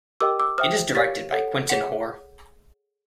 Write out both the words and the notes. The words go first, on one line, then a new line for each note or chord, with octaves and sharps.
It is directed by Quintin Hoare.
G4 A#4 D#5 G5 D6 E6
D6 E6
C5 E5 G5 D#6 F6
G4 A#4 C#5 F5 A6 B6
A4 C#5 F#5
G#4 C#5 F#5 B6 C#7